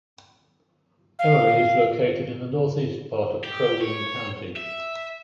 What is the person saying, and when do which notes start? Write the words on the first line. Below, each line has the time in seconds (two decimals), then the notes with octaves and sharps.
Emily is located in the northeast part of Crow Wing County.
1.19 F5
3.44 G4
3.81 C#5
4.56 E5